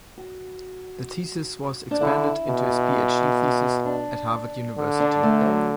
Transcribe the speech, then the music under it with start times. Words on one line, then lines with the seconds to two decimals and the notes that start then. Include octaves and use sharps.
The thesis was expanded into his Ph.D. thesis at Harvard University.
0.18 F#4
1.91 D4
2.01 D3 E4
2.47 B2
3.85 D4
4.77 D3
5.00 D4
5.23 A3
5.41 E3
5.45 F#3